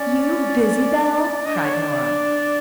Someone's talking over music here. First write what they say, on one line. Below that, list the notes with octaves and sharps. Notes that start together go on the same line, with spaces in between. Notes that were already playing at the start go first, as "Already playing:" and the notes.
"You busy, Belle," cried Nora.
Already playing: C#4 D5
D4 D#5
D5
C#5
D5